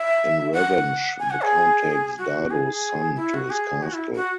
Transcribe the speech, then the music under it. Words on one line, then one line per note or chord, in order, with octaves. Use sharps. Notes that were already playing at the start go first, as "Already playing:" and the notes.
In revenge, the count takes Dardo's son to his castle.
Already playing: E5
F#5
G#5
F#5
G#4
F#4
G#4
E4
F#4
G#4
F#4
E4
F#4